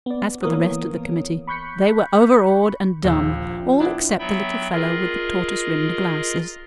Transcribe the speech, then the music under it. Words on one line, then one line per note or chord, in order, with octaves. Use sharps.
As for the rest of the committee, they were overawed and dumb, all except the little fellow with the tortoise-rimmed glasses.
B3 D5
E3 A#3 B3 A#4 C#5 D#6
B5 C#6 F#6 G6 B6 C#7
A#1 D#2 C#3 F3 G4 E6
B3 D4 E4
F#3 B3 E5 G5 B5
F4 G#4 A#4 D#5